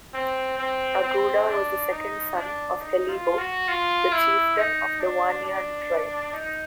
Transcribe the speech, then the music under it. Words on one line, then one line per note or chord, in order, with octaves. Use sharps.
Aguda was the second son of Helibo, the chieftain of the Wanyan tribe.
C4
C4
C4
D4
D#4
D4
D#4
F4
F#4
F4
E4
D#4
D4
D4
D#4